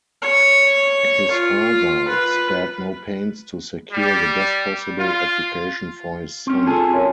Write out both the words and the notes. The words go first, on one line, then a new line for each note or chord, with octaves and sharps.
His father spared no pains to secure the best possible education for his son.
C#5
F4
B4
G3
F4
C4 C#4
F4 G#4 A4 G#5
F#2